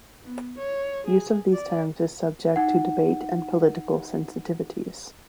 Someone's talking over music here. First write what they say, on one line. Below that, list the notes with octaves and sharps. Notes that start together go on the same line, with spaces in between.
Use of these terms is subject to debate and political sensitivities.
B3
C#5
G#4
D5
D#4 F#5